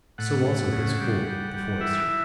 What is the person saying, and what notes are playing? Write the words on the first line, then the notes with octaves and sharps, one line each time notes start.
So also was Ford, the forester.
A2 F#5
A2
C#3
G3
G3
G3
E3 E5
E3